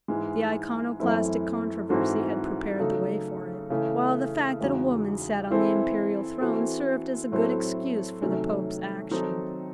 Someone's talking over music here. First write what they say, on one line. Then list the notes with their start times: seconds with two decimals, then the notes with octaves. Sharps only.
The Iconoclastic controversy had prepared the way for it, while the fact that a woman sat on the imperial throne served as a good excuse for the Pope's action.
0.08 G#2 E3 G#3
1.00 F#2 E3 A3 C4 E4
1.89 G#2 E3 C4 F#4 A4
2.79 C#3 F#3 A3 D#4 A4
3.70 C#3 E3 A3
4.61 E2 C#3 G#3 D#4 F#4
5.51 E3 C4 E4 A4
6.41 E3 C4 F#4 A4
7.32 A2 F#3 C4 E4 A4
8.22 C3 D#3 F#3 A3 C#4
9.11 D#3 F#3 C4 D#4 A4